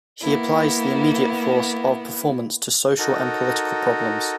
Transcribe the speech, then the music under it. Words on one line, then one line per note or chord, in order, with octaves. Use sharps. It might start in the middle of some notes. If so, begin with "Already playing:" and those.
He applies the immediate force of performance to social and political problems.
A#3 B3 E4
D#4 F#4 A4 A#4